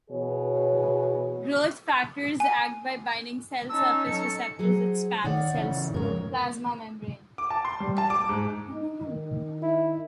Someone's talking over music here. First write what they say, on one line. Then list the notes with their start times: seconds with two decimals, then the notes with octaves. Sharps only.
Growth factors act by binding cell surface receptors that span the cell's plasma membrane.
0.11 B2 E3 G#4 C#5
2.40 G#5
3.70 C#4 D#4 A5 E6
4.06 F#3 A4 C#7
4.59 F#3 G#4 C5
5.24 D#3 C#5 D5 F#5
5.55 C#3 E3
5.94 F2 G#2 C#3 A#4 C#5
7.38 D6
7.50 A5
7.65 C6
7.80 G3
7.98 A5
8.10 D6
8.29 G#2
8.73 D#4
9.07 D#3
9.62 E4